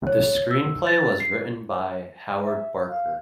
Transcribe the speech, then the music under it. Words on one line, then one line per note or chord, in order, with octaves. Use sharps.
The screenplay was written by Howard Barker.
C#5
E6
A6
C7
E5
F5